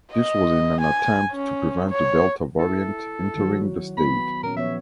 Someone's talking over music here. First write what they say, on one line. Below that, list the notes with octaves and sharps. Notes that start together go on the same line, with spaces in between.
This was in an attempt to prevent the delta variant entering the state.
D#5
G#5
C#4
C#5
E4 A4
D#3 F#3 F#4
B3 B5
A#2 C#4 A#4
F3 B3 C#5 E5